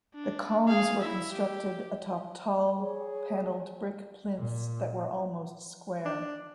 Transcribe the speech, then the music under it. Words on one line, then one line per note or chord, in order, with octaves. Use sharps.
The columns were constructed atop tall, paneled brick plinths that were almost square.
D4
G#4 F5
E4 E5
G4
G#4 C#5
A#2
D4